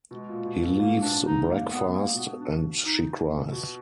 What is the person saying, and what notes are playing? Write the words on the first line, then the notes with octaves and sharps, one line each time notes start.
He leaves breakfast, and she cries.
B2 G#3
A#2
B2
A#2
G#2 A#3
D4
G#2
D#4
A#3
B3
A#3
B2 B3
D4
D#4
A#3
B2